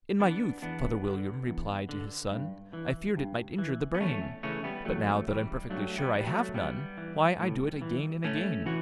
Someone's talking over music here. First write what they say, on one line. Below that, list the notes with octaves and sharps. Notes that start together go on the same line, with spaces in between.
'In my youth,' Father William replied to his son, 'I feared it might injure the brain; But, now that I'm perfectly sure I have none, Why, I do it again and again.'
E3 B3 D4
E2 B3 D4
D3
E2
D3
G2
E3
G2
E3
B3
E2 A3 C#4
C#3 E3 A3 C#4
G3 B3
E2 F#3 A3
C#3 E3 G3
G2 F#3 A3
G3 B3
E3
G3
F#3 A3
G2 G3 B3
E3
A2
E3
A2 A3 C#4
E3 F#4